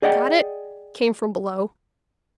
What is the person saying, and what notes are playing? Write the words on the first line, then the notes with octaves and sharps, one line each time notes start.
"Got it?" came from below.
G#4 D5 D#5 F#5 G5